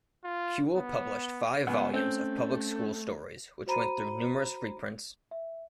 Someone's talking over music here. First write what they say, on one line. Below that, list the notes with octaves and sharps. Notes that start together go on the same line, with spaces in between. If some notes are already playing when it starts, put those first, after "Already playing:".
Cule published five volumes of public school stories, which went through numerous reprints.
F4
B3
C#2 B3 F#5
A3 C4 C#4 G6
F#4 C5 A#5 B5 D#7
E5